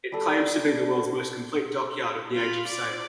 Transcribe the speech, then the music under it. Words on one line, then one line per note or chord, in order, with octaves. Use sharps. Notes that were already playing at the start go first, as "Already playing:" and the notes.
It claims to be the world's most complete dockyard of the Age of Sail.
G3 A4
F4 B5
D5